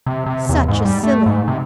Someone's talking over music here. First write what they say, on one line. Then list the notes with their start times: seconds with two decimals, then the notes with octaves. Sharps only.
Such a silly!
0.06 C3
0.26 C3
0.49 E2
0.68 G#2
0.85 G3
1.03 A3
1.26 G#2
1.48 C3